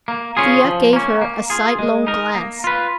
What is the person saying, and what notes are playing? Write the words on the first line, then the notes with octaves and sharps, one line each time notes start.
Thea gave her a sidelong glance.
A#3
C#4 F4 G#4
F3
A#3 C#4
A#3
F4 G#4
G#3
D#4 A#4
A#3
F4 B4